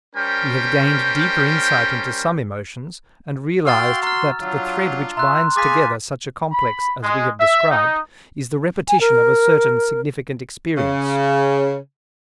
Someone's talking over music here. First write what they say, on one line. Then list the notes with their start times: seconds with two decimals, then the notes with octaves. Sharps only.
We have gained deeper insight into some emotions and realize that the thread which binds together such a complex as we have described is the repetition of a certain significant experience.
0.15 G3 C#4 A#4 C5 G5
3.65 F#4 F5 G5 C6 E6 F6 A6
4.03 A#5 C6 F6
4.42 F#3 D4 F4
5.17 E5 A#5 C6 F#6
5.56 G#4 F5 G#5 D6 A6 B6
6.51 B5
7.02 G#3
7.38 E5
7.71 D#4
8.88 G#5
9.01 A#4
10.78 C#3